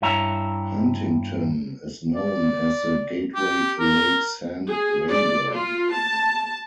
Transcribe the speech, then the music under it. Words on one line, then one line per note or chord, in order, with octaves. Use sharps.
Huntington is known as the "Gateway to Lake Sam Rayburn".
G2 E4 C#5 E5 A#5
D5
G4
A#4
G#4
D5
F4
A5